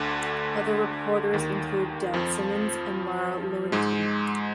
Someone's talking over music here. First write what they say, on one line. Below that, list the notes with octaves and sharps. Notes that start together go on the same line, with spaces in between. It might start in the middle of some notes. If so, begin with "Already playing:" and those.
Other reporters include Dan Simmons and Lara Lewington.
Already playing: D2 D3
D#2 D#3
F2 F3
G#2 G#3